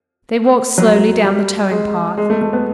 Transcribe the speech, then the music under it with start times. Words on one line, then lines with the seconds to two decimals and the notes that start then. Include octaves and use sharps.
They walked slowly down the towing-path.
0.78 F#3
1.24 G3
1.71 G#3
2.17 G#3
2.30 A3
2.41 A3
2.53 B3